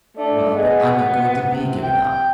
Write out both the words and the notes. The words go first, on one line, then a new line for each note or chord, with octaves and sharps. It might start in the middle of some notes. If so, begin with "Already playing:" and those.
"Well, but I'm not going to be given up."
A3 D4 D5
B3 G#4 D#5
C3
G5